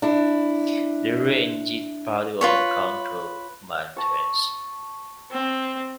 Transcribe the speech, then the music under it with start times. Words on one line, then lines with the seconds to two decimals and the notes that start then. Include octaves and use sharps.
The range is part of the Concord Mountains.
0.02 D4 E4
2.41 F4 B4 C#5
3.97 A5 C#6
5.31 C4